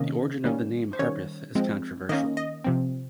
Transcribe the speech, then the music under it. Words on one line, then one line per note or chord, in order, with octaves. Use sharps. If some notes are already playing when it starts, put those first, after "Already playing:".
The origin of the name "Harpeth" is controversial.
Already playing: C3 D#3 A#3 C#4 D#5
D#3 G3 A#3 C#4
C5
D#3 G3 C#4 C#5
F3 G#3 C4
D#3 A#3 C#4 D#5
D#5
C3 F3 C4